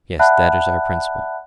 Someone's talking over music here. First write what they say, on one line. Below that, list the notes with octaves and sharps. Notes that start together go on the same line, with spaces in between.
Yes; that is our principle.
D5 E5 F#5 A5 B5 F#6